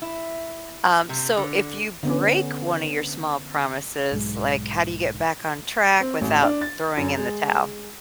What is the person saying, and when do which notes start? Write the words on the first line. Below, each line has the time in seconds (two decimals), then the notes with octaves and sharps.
Um, so if you break one of your small promises, like, how do you get back on track without throwing in the towel?
0.02 E4
1.09 C3
1.37 D3
2.03 D3 B3 C#4
4.12 B1 G#2 G#3
6.00 C4
6.21 A1
6.42 D4
6.61 A6
6.97 F#2
7.17 G#3